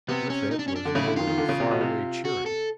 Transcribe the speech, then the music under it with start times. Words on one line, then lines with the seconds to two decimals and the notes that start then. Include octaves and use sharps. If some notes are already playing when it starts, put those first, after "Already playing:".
With it was mingled far-away cheering.
0.08 C3 B3
0.30 C#4
0.51 D#4
0.59 D4
0.68 C#4
0.76 D4
0.85 D3
0.95 C#3 E4
1.06 D3
1.16 D#3 F4
1.27 D#3
1.38 D3
1.49 C#3
1.60 C3
1.71 B2
1.81 C3
2.25 F#4
2.46 A4